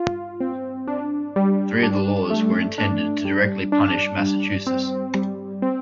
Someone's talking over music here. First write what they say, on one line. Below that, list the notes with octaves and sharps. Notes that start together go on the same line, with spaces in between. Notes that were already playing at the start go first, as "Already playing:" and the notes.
Three of the laws were intended to directly punish Massachusetts.
Already playing: F4
C4
D4
G3
D4
A3
D4
G3
D4
G3
C4
G3
C4